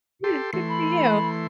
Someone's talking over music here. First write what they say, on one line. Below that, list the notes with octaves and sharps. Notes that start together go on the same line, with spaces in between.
Yeah, good for you.
G4 A4 C6
E3 A3 C6
B5